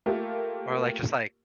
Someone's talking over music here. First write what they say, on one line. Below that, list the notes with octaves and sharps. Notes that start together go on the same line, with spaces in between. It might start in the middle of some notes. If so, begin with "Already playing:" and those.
Or, like, just, like,
A3 A#3 F4 G4 A#4